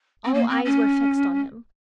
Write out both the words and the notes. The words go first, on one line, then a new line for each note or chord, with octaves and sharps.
All eyes were fixed on him.
C4
A#3
C4
C#4